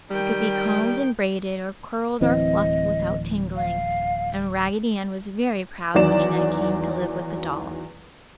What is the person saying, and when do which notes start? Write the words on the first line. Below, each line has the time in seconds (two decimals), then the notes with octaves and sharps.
It could be combed and braided, or curled or fluffed without tangling, and Raggedy Ann was very proud when Jeanette came to live with the dolls.
0.10 D#3 G3 G5
2.21 D1 E3 C4 D#5
3.56 F5
5.94 E2 D#3 F#3 D5 E7